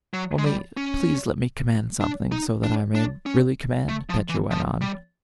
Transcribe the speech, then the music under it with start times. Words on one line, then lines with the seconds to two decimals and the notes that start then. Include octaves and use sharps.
"Only, please let me command something, so that I may really command..." Petya went on.
0.14 F#3
0.39 G#3
0.46 G3
0.77 C#4
2.01 D4
2.32 D#4
2.64 D4
2.95 D4
3.26 C#4
3.89 A3
4.10 F3
4.29 E3
4.51 F3
4.81 G3